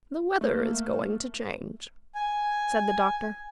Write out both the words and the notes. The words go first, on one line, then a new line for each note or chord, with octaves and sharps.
"The weather is going to change," said the Doctor.
A3 A#3
G#5